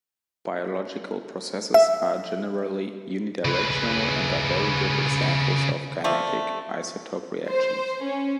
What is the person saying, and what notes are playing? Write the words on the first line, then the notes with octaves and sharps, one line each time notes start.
Biological processes are generally unidirectional and are very good examples of "kinetic" isotope reactions.
E5
C#3 B4
A3 C4 F4 D5
C5
C#4